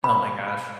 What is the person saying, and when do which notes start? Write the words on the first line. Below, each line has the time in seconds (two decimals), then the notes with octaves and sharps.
Oh my gosh.
0.04 B5